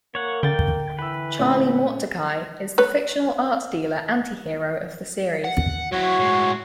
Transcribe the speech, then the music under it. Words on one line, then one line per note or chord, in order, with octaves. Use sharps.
Charlie Mortdecai is the fictional art dealer anti-hero of the series.
A#3 C#5 F#5
D3 G5 G6 A6
E3 B4 G5 E6
A#2 A3 C#4
B4 C#5
F#5
F#3 E4 F#4 C#5
A2 G#3